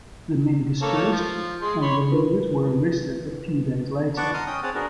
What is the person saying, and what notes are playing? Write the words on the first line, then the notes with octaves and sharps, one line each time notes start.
The men dispersed and the leaders were arrested a few days later.
A#3 A4 C#5
F3
G#3 C6
C#5 B5 C6
E4 F4 A#4 B4
B3 D4 F#5 A5 C#6 D6
D#5 A#5 C6 D#6 F6
C#4 D#5 G5 D#6
C4 G#4 C#5 F#5 A5
B3 D4 F#4 G#4 A#4